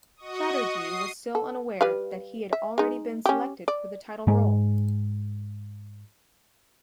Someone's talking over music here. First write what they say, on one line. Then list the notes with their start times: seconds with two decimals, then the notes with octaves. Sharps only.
Chatterjee was still unaware that he had already been selected for the title role.
0.17 F#4 D#5 C#6 D#6
0.71 D#6 C7
1.35 A4
1.81 G3 B4 F5
2.53 E5
2.78 G#3 D#4
3.26 C#4 G4
3.68 D5
4.27 G#2 G#3